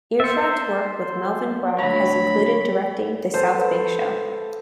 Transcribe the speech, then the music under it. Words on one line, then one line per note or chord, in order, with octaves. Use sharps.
Irshad's work with Melvyn Bragg has included directing "The South Bank Show".
C5 E5 A6 C#7
D2 F#3 C#5 B5 A#6
A4 B4 C5